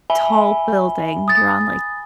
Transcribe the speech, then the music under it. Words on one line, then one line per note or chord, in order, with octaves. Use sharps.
tall building. You're on, like
E5 G#5 B5 G7
D#6 A6